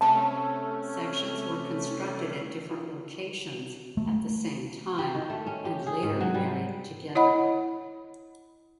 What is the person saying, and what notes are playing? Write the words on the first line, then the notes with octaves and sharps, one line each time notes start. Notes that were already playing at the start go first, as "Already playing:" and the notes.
Sections were constructed at different locations at the same time and later married together.
C3 A3 C#4 A5
A3
G4
D#3
A3
C#4
G4
G#4
G#2
F#3
G3
E4 C#5 D#5 F#5 B5